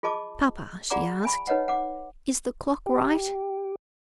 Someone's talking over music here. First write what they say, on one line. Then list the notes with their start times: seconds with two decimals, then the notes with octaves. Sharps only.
"Papa," she asked, "is the clock right?"
0.03 F4 G#4 D#5 A5 C#6 D6
0.90 F4 G#4 D5 F#5 A#5 D6
1.25 G#5 B5 C#6
1.47 D#4 B4 C#5 D#5 F#5
1.68 F#5 D6
2.87 G4